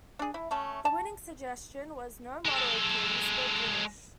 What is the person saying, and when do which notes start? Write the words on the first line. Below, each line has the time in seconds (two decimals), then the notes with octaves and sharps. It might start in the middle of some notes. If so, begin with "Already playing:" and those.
The winning suggestion was "No motto please, we're British".
0.19 D4 G#4
0.34 E4
0.51 A3 C#4 A5
0.85 A5
2.45 G#3 A4